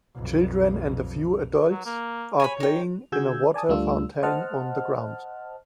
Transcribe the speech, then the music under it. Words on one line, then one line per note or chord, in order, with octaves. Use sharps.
Children and a few adults are playing in a water fountain on the ground.
B1 F2
F#3
A#3
C#5 G#5 A#5 B5
D#4 G5
D3 F#4 G#4 E6 G6 G#6
D5 G#5 A5 D#6
D2 G3 A3 D4 F4 E6
C5 D#5 F#5 A5 F6